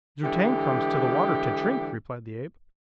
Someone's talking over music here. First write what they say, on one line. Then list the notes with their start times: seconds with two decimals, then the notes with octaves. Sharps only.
"Zu-tag comes to the water to drink," replied the ape.
0.23 D3 E3 G#3 G4